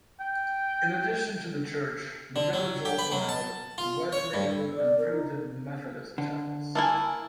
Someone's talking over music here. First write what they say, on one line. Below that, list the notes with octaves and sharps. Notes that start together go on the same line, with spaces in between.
In addition to the church the village also had Wesleyan and Primitive Methodist chapels.
G5
D3
F#3
G4
B4
F#3
A5
F4
C#5
G2
A4
D5
A#4
D#4
D3
A#3 E4 G#5 A5